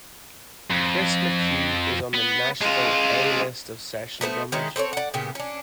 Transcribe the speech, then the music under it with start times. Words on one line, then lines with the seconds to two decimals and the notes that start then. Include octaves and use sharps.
Chris McHugh is on the Nashville "A" list of session drummers.
0.71 F2
2.14 B3
2.61 G#3 F4
4.21 A3 B3 B4 C5
4.52 D#3 G#3 C#4 E4
4.76 C4 A4 C5 C#5
4.93 D5 F#5
5.14 A#2 C#3 B3 G4
5.35 C#4 D4